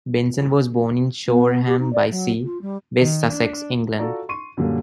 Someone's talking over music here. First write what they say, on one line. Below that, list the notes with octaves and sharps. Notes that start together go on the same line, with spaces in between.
Benson was born in Shoreham-by-Sea, West Sussex, England.
B3
G4
D#4
D5
F#3
F4
G3
D#3
D4
F4 F#4 A4 D5 A5 A#5
C6 C#6 D#7
F#2 A#2 D3 G3 A#3